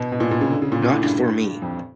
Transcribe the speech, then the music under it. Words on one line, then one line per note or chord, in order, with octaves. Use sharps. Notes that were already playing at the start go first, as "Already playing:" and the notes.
Not for me.
Already playing: B2
B2
A#2
A#2
C#3
D3
C#3
A#2
A#2
A2
G2
F2